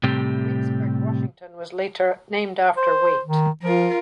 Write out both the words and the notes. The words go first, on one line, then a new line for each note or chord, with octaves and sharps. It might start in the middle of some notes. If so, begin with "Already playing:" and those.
Waitsburg, Washington, was later named after Wait.
A2 C3 G3 C4 G4
C5
D#3
F3 F4 A#4